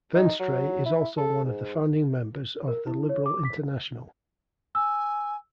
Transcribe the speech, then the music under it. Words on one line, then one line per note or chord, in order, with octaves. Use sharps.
Venstre is also one of the founding members of the Liberal International.
D#4
F#3
E4
A4
G#2
A#4
E4
C#5
D6
B6
G#5 E6